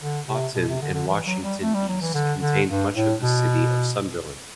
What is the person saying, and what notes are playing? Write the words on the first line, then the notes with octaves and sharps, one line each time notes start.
Houghton and Washington East contained much of the City of Sunderland.
D3
C3
B2
C3
D3
D3
E3
F#3
G3
A3
G3
F#3
E3
D3
D3
G2
A2
B2